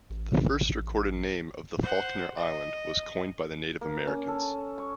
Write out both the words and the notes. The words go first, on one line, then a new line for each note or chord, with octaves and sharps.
The first recorded name of the Falkner Island was coined by the Native Americans.
A1
C5 F#5
D#5
A#3
C#4
A4
C#6